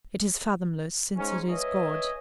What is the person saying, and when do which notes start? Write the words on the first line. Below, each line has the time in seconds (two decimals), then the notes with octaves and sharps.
It is fathomless, since it is God.
1.16 G#2 C#4
1.50 B4 C#5 D#5 E5 G#5